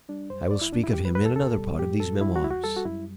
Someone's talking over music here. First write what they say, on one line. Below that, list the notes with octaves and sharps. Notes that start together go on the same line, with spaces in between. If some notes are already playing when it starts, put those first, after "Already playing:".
I will speak of him in another part of these Memoirs.
G3 D4
F#2 C5
F#3 D5
E4
E2 D4
E4
G3 G4
B4
E2 B4
A4
B2 A4
G3
A2 G4
F#3 A4
G3 E4
F#4
E2 E4
F#4
G3 A4
F#4
F#2 E4